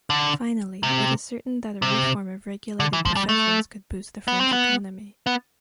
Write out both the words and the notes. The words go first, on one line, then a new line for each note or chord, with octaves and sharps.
Finally, it is certain that a reform of regulated professions could boost the French economy.
D3
C3
C3
D3
E3
F3
G3
A3
B3
C4
B3
B3